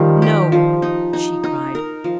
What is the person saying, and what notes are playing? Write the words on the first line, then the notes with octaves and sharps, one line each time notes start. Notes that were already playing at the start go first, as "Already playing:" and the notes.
"No!" she cried.
Already playing: D#3 F3 G3 D#4
G4
F3
D#4
D#4
D#4
A#4
F3